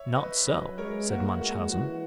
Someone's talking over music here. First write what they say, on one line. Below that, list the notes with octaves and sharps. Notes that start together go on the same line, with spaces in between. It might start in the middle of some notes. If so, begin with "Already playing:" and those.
"Not so," said Munchausen.
Already playing: C#5 E5
B4 D#5
F#3 B4 D#5
G#3 A#4 C#5
A#3 F#4 A#4
G#3 F#4
E3 F#4